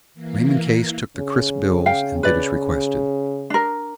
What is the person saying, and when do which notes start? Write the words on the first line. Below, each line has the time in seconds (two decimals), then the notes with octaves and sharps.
Raymond Case took the crisp bills and did as requested.
0.14 E3 A#3
1.17 C#3
1.86 F5 G5
2.23 B4 D5
3.50 D4 A#4